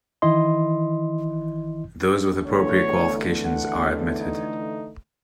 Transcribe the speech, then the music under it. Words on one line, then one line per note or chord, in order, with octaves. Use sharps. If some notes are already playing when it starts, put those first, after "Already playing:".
Those with appropriate qualifications are admitted.
D#3 E3 E4 D#5 C6
D3 E3 A3 C#5
F#5
D#4